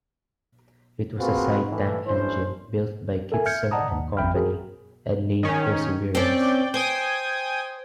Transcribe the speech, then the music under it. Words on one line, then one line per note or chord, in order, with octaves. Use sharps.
It was a side tank engine, built by Kitson and Company and named "Perseverance".
A#3 C4 F4 F#4 G#4 B4
A2 E3
A1 E3 C#4 D4 C5
A4 A#4 E5 G#5
E5 F6 G6 G#6 C#7
D5 D#5 F#5 A5 A#5 D#6
D#2
A1 F2 E5 G5 B5 F6
F#4 G#4 A#4
D#3 C#4
C4 C#4 D5 G5
C5 G5 G#5 D#6